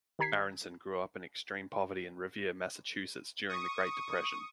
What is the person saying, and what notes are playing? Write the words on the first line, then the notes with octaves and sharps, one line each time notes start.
Aronson grew up in extreme poverty in Revere, Massachusetts, during the Great Depression.
D#3 G4 A#5 G#6 B6 C7
C#6 D#6